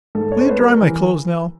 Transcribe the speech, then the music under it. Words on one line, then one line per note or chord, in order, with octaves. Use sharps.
Will you dry my clothes now?
G#2 A4
C#5
C4 C5
B4
G3 A#4
E3